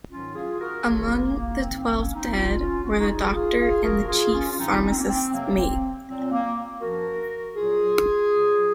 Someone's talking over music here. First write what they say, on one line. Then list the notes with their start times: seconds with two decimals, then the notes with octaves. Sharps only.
Among the twelve dead were the Doctor and the Chief Pharmacist's Mate.
0.10 G#2 D#3 F#3 C#4 F4
0.35 F4 G#4
0.59 F#4 A#4
0.84 F2 D#3 F#3 F4 G#4
1.10 A#3
1.34 A#3
1.59 G#2 D#3 F#3 C4
1.78 C4
1.96 A#3 C#4
2.15 C4 D#4
2.33 G#2 F3 C#4 F4
2.59 C#4 F4
2.83 F#4
2.91 G#4
2.98 D#4 F#4
3.08 A#2 F3 F4 G#4
3.33 F4 G#4
3.59 F4 G#4
3.83 F#2 F3 F#4 A#4
4.07 F4 G#4
4.32 C#4 F4
4.51 F4
4.57 G#2 D#3 F#3 C4 D#4
4.82 C#4
4.90 C4
4.97 A#3 C#4
5.08 C4
5.32 F2 C3 F#3 A#3
5.57 C4
6.07 A#2 F#3 C4
6.31 A#3
6.81 F#2 F3 F#4 A#4
7.55 A#2 F#3 F4 G#4
8.31 A#2 F#3